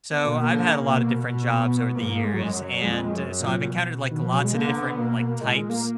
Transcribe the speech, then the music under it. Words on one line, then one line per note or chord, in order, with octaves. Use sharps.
So, I've had a lotta different jobs over the years, and so, I've encountered, like, lots a different, like, types
B3
B2 A#3
D3
B2
B3
G#2 A#3
G#3
F#3
F#2 G#3
F#3
F2 G#3
G#3
F#2
A#2
F#3
B2
B2 D#3
F3
F#3
G#3
D3 A#3
B3
B2 A#3
A#3
A#2 G#3
A#3